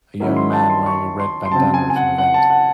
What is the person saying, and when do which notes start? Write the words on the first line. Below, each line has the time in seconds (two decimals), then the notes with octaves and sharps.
A young man wearing a red bandanna at an event.
0.20 D#3 F#3 C#4 E4
0.37 C6
0.53 A5
0.70 C6
0.86 C#6
1.20 C6
1.46 C6
1.52 C#3 F#3 C4 A5
1.74 G#5
1.90 G#5
1.96 F#5
2.18 F#5
2.34 A5
2.50 F#5